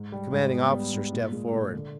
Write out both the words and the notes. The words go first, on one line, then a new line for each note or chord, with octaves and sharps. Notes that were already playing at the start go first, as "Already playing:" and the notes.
The commanding officer stepped forward.
Already playing: G#2
G3
G#2
B3
G3
G#2
A#2
G#3
A#2
D3